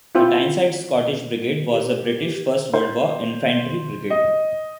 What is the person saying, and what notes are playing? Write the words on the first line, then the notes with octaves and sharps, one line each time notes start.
The Tyneside Scottish Brigade was a British First World War infantry brigade.
C4 E4 F4 C5 G5
G4
C5
D#5